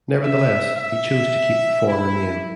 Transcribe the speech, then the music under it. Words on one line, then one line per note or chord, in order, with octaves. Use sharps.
Nevertheless, he chose to keep the former name.
E5
E5
E4